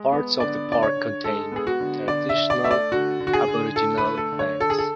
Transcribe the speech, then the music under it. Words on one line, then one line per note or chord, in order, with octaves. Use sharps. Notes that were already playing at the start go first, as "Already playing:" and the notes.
Parts of the park contain traditional aboriginal lands.
Already playing: G#3
B3
D3 D5
D3 D5
C#5
D3
G#3 A4
B3 G#4
F#4
D3
D3 D5
E5
D4
D5
A3 E5
D5
D3 F#4
D3
F#4
G#4
D3
D3 A4
B4
A3
A4
D3
C#5
D3 A4
G#4
A4